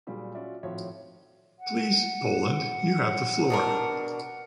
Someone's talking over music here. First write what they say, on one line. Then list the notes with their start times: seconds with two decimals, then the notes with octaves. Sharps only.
Please, Poland, you have the floor.
0.07 A#2 F#3 G3 G4 G#4
0.34 C#4 F4 F#4 D5 E5
0.63 G#1 A2 F3 F#4 C#5 E5
1.59 F#5
3.50 B2 D4 A#4